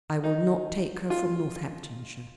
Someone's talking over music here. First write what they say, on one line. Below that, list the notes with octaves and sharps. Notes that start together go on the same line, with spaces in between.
I will not take her from Northamptonshire.
D#4
F4